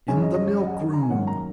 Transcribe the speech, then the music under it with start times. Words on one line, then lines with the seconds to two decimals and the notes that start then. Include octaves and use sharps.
"In the milk-room."
0.08 F#2 C#3 G#3 C#4 G#5
0.22 D#5
0.34 D#5
0.47 C#5
0.60 D#5
0.67 F#5
0.74 D#5
0.94 A#5
1.03 G#5
1.10 F#2 D#3 A#3 C#4 F#5
1.27 A#5